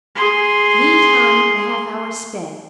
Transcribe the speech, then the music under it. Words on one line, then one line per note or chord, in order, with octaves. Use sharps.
Meantime, the half-hour sped.
G#4 C6